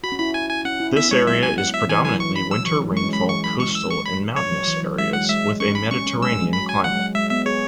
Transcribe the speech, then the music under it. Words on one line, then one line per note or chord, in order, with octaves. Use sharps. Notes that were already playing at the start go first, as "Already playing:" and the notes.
This area is predominantly winter rainfall coastal and mountainous areas with a Mediterranean climate.
F#4 B5
C#4
E4 B5
G#5
G#5
C#4 F#5
E4
B3 E5
G#3 C#5
F#3 E5
G#5
F#5
E5
E3 G#5
F#3 G#5
F#3 C#6
F#3 B5
F#3 E6
E3 C#6
F#3
G#3
C#6
C#4
G#3 B5
E3 C#6
F#3 B5
G#3 C#6
E6
C#6
B5
F#3 C#5
F#3
E3
F#3
F#3
G#3 E5
G#3 F#5
G#3 E5
C#4 C#6
B5
C#4 C#6
C#4
F#3
G#3 E6
F#3
B5
G#5
F#3 F#5
G#3
F#3
G#3 E5
B3 E5
G#4 C#5